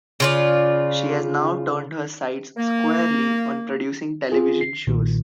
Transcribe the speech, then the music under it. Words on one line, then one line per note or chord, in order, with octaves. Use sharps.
She has now turned her sights squarely on producing television shows.
C#3 F4 D5
A#3
C4 F4 G#4
C7
B1 A#2 D#3